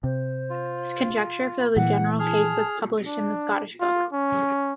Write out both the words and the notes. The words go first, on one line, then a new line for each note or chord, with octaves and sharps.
His conjecture for the general case was published in the Scottish book.
C3 C5
F4
A#2 E3 F#5
G#4 A5 F6
D4
F4
C#4